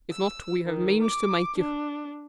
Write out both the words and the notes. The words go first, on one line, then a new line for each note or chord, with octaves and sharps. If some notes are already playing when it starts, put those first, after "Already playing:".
If not, we have means to make you.
E6
D#3
D6
D4